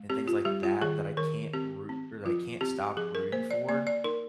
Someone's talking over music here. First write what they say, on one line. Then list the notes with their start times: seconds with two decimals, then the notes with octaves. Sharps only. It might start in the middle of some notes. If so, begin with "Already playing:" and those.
and things like that, that I can't root or that I can't stop rooting for,
Already playing: G#3
0.10 C4 G4
0.28 F4
0.45 G3 G4
0.63 F4
0.82 D#3 G#4
1.17 D#3 A#4
1.53 C4 G4
1.89 C4
2.25 F3 F4
2.61 C4 G4
2.97 F3 G#4
3.15 A#4
3.32 A#3 C5
3.51 D5
3.69 A#3 D5
3.87 D5
4.04 D#4 A#4